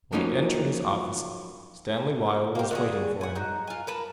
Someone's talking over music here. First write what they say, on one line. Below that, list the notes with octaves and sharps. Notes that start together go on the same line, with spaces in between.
When he entered his office, Stanly Weill was waiting for him.
F3 F#3 A#3 C#4 D#4 F4
A#3 G4
D3 F#4 G#4
F#5 G#5
D#4 F#4
F4 G#5
A#4 B4 A5